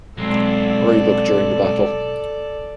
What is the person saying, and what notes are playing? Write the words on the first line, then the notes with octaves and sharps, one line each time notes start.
Roebuck during the battle.
B1 F#3 G#3 C4 A4 D5